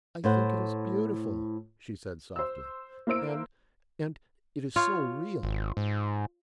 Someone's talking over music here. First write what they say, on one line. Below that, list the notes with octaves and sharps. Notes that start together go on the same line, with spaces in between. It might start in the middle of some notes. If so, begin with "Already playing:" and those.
"I think it is beautiful," she said softly, "and--and it is so real."
A2 C5 F#5
C5 E6
A#3 E4 C5 E6 D7
F4 C#5 F5
G#1
G#2